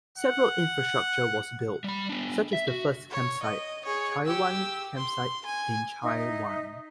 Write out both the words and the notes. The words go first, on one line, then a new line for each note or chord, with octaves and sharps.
Several infrastructure was built, such as the first campsite, Chaiwan Campsite in Chai Wan.
F#5
G3 B5
B3 D4
E5
F#4
C#5
D#5
G#4 C#5
G4 E6
C6
G#5
D#4 E5